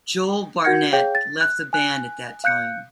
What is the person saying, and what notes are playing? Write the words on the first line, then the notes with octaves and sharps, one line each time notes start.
Joel Barnett left the band at that time.
F#4 A#4 F#5 G6 G#6 C#7
G#4 C#5 F5 G5 G6
A6
F#6
G#5 F#6
F5 F#6 G6 C#7